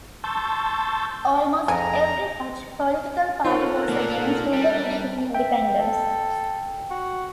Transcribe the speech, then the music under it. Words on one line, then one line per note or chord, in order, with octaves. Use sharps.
Almost every Dutch political party was against Indonesian independence.
A5 C6 C#6 E6 G6 A6
F2 G#4 A#5
D#4 F4 A4 A#4 C5 C#5 F#5
A#3 D5
G3 A5
E5 G5
A4
F#4